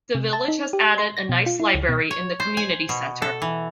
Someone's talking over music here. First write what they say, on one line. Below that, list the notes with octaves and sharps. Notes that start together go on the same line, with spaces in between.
The village has added a nice library in the community center.
C3
A5
D#4
G4
C6
A#6
B2
F4
E4
C#2
B2
C#5
C5
G#5
B2
A4
E3